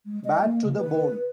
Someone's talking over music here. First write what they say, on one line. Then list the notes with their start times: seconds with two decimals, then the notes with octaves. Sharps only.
Bad to the bone.
0.06 G#3
0.25 D#5
0.42 A#3
0.64 C#3
0.78 B4